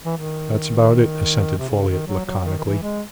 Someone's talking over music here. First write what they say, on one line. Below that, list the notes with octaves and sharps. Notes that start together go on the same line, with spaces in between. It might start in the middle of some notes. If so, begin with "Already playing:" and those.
"That's about it," assented Folliot laconically.
E3
D#3
C3
C#3
C#3
D#3
F#3
F#3
D#3
D#3
E3
G#3